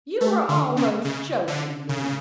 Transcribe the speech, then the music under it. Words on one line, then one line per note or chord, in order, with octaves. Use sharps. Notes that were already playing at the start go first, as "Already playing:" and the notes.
You are almost choking me!
A3
D3
C#3
C#3
D3
C#3